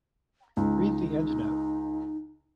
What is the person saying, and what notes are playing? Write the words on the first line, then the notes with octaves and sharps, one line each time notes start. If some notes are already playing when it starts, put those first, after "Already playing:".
Read the endnote.
C#2 D#4